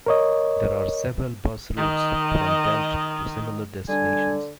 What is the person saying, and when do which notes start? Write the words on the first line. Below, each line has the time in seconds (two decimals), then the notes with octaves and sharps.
There are several bus routes from Delft to similar destinations.
0.06 A#4 C#5 D#5
1.77 D#3 D#5
3.89 D3 G3 D4 G#5